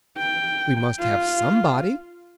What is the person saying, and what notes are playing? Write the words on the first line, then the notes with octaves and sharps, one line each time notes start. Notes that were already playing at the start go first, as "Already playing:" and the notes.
"We must have somebody!"
G5
F4